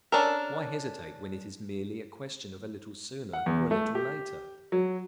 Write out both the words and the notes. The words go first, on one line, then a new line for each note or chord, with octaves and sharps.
Why hesitate when it is merely a question of a little sooner or a little later?
C#4 D4 A4 A#4
F#5
E2
A3
G4
F#3